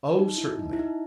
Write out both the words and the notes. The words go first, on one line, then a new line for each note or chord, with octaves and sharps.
'Oh, certainly.
D#4
E4
D#4
E4
D#4